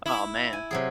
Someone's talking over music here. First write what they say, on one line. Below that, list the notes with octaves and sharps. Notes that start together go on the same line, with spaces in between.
Oh, man,
E4
G#5
C3 F#3 G#4